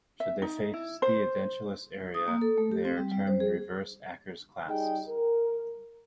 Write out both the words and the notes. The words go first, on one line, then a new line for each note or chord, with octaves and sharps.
Should they face the edentulous area, they are termed reverse Akers' clasps.
E5
D#4
E4
C5
D#6
A#3
A4
A3
G4
C4
G3
G3
C5
G#4
G3 D#4 G#4 G5
A#4